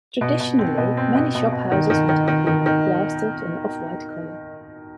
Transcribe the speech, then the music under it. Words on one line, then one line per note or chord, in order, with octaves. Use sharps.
Traditionally, many shophouses would have been plastered an off-white colour.
B2
B2
C4
B2
C4
B2
B2
B2
D#3
D#3
D#3
D#3
D#3
D#3